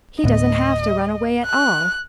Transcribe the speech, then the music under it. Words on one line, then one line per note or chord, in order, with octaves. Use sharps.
He doesn't have to run away at all!
D2 A2 B3 D#5
F#6